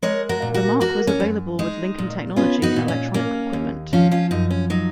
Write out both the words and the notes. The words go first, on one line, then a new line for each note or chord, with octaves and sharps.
The Mark was available with Lincoln technology and electronic equipment.
G#3 A#4 C#5
F#4 A#4
A#2
F#4 A#4
A#3 F#4 A#4
C#4
F#2
G#3 D#4
A#2
B3 C#4 F4
D#4 F#4
A#2
C#4
A#3 C#4
D#2
F3 C#4 F4
C#4 F4
F#2 D#4
C#4
F#3 D#4